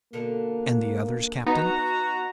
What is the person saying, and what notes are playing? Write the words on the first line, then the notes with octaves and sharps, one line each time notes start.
"And the others, captain?"
B2 D3 A#3 A4
B3 D#4 F#4 A#5